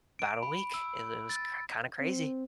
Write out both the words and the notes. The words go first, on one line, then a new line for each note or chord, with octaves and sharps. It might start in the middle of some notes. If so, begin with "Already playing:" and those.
'bout a week, it it was k kinda crazy.
D7
B5
E6
A6
C4